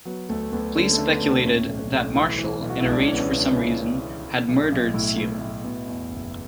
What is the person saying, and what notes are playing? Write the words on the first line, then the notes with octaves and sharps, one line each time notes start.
Police speculated that Marshall, in a rage for some reason, had murdered Seale.
F#3 B3
D2 A3
D2 B3
D3 C#4
A3
D3
B3
A3
D2 B3
A2 C#4
B1
B1
E3
E3
B1
F#4
C#2 E4
D4
C#4
E3
B3
C#4
C#2
D4
C#3 E4
C#3
E3
E3
B1
B1
A2 E4
A2
A2
B2
E2
F#1